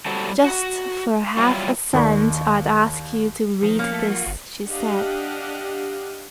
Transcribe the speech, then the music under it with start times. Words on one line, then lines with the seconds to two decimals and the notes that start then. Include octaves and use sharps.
"Just for half a cent I'd ask you to read this," she said.
0.06 F#3 G3 C4 F#4 A4
0.44 F#4
1.37 F#3 G3 E4 F4
1.93 D#2 D#3 D5 C#6
3.63 D#3 F3
3.79 A#3 C#4
3.92 A3 A4
4.08 F4 F#4
4.27 G1
4.66 D4 G4 D#5 F5 F#5